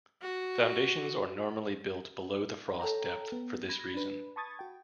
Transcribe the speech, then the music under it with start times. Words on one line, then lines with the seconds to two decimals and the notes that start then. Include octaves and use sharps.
Foundations are normally built below the frost depth for this reason.
0.21 F#4
2.80 A4 C#5 G5 A#5
3.32 B3
3.69 B5 G#6 A#6
3.94 D4 B4
4.36 A5 B5 C#6 D#6 G#6 A6
4.59 F#4 G5